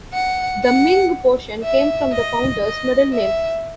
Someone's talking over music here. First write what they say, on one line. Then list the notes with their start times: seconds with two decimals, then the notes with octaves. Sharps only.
The Ming portion came from the founder's "middle name".
0.13 F#5
0.64 F#5
1.63 E5
2.13 D#5
2.63 D#5
3.13 E5